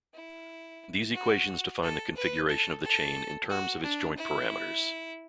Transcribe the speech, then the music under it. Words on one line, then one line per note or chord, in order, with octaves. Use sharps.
These equations define the configuration of the chain in terms of its joint parameters.
E4
F#4
A4
B4
A4
A4
F#4
D4
E4